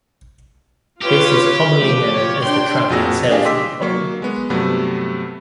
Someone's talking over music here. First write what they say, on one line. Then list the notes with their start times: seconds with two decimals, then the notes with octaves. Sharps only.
This is commonly known as the traveling salesman problem.
1.01 F4 G4 B4 C#5
1.77 F3 A3 B4
2.13 F4 C#5
2.43 D4 G5 C6
2.90 F2 A#3 F#4 G#4 E6 A#6
3.30 D4 G4 G#4 F5 G#5
3.45 D#5 G5 C6 D6 E6 B6
3.82 F#3 A#3 C#6
4.22 G#3 B3
4.50 G2 C3 F#3 A3 B3